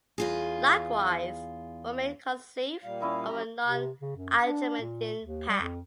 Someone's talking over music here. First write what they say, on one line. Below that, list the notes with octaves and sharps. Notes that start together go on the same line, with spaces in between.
Likewise, one may conceive of a non-archimedean past.
E2 F4 G#4
A#2 G3 F5
C#4 E4 D#5
F#2 G4 A#5
C3
C#3
F#2
D4
A#2
D#2
G3
F2